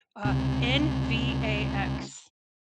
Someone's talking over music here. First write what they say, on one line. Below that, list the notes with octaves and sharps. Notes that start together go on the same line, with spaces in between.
Uh, N-V-A-X.
C#2 C3